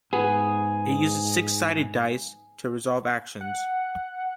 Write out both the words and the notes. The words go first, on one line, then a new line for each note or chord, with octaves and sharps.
It uses six-sided dice, to resolve actions.
G#2 B3 G#4
F#5